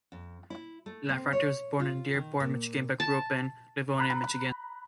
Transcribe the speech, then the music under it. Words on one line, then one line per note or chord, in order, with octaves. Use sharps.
Iafrate was born in Dearborn, Michigan, but grew up in Livonia, Michigan.
F2
E4
A3
C4
C#5
F4
D#3
A#2
A5
A#5 B5 F#6